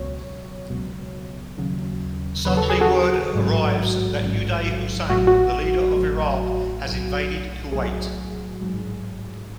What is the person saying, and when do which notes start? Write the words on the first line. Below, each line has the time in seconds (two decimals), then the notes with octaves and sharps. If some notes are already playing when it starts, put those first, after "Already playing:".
Suddenly, word arrives that Uday Hussein, the leader of Iraq, has invaded Kuwait.
Already playing: C#2 B2 F#3 C#5
0.70 C#2 B2 F#3
1.58 D#2 C#3 F#3
2.45 D#2 C#3 F#3 B4
2.57 A4
2.70 G#4
2.81 F#4 A4
3.33 A1 G#2 F#3
4.21 A1 G#2 F#3
5.09 A1 A2 F#3 F#4
5.27 F#4
5.97 A1 A2 F#3
6.85 B1 A2 F#3
7.72 B1 A2 F#3 G#4
8.61 A1 G#2 F#3